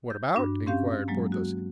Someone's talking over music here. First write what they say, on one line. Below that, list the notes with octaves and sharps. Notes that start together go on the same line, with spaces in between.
"What about?" inquired Porthos.
G6
G2 D4 F#4
C4 C#4 G4 F5 G6
F#3 G#3 A#3
F#4